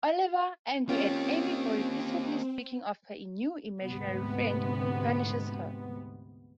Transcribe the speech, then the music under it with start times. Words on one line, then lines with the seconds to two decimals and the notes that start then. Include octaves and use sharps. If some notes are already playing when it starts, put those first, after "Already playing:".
Oliver, angry at Amy for repeatedly speaking of her new imaginary friend, punishes her.
0.89 A#3 C4 C#4 F4 G4
3.83 D2 G#2 C3 B3